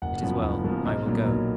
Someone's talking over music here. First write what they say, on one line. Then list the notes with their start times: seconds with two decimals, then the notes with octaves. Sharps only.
"It is well; I will go."
0.02 F#1 F#5
0.22 F#2 F3 B3
0.43 F#1
0.64 F#2 F3 B3
0.85 B1 D#5
1.06 A#2 F#3 B3
1.26 B1